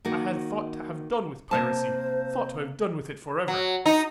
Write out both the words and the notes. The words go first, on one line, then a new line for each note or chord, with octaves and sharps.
I had thought to have done with piracy; thought to have done with it for ever.
D#3 A#3 F#4
C3 A#3 C5 A5
F#3
D#4